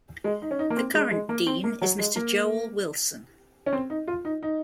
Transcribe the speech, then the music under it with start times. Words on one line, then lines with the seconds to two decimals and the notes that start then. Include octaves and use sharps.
The current Dean is Mr Joel Wilson.
0.24 G#3
0.42 D#4
0.51 C#4
0.59 D#4
0.70 A#3
0.77 C4
0.94 G#3
1.11 G#3
1.29 A#3
1.47 C4
1.64 A#3
1.82 F#3
1.99 G#3
2.16 A#3
3.66 C#4
3.73 C4
3.90 D#4
4.08 F4
4.25 D#4
4.43 D#4